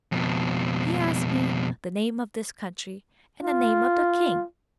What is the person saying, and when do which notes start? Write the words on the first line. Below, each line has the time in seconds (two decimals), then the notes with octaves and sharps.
He asked me the name of this country and the name of the king.
0.12 F2 B2
3.42 F4